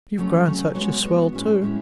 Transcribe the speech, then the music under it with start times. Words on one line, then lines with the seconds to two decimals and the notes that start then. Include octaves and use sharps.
You've grown such a swell, too.
0.18 C#3 F#3 A3 C#4
0.46 C#3 F#3 A3 C#4
0.75 G#3 B3 F#4 C#5
1.04 G#3 B3 F#4 C#5
1.33 A2 G#3 C#4 E4
1.62 A2 G#3 C#4 E4